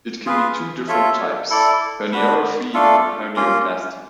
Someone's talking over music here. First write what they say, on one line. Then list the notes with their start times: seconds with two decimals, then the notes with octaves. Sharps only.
It can be of two different types: herniorrhaphy or hernioplasty.
0.26 F4 G#4 B4
0.88 F4 A4 C#5 E5
1.50 E4 A4 D5
2.12 D4 F#4 B4
2.74 A3 D4 F4 A4
3.36 A#3 C#4 F4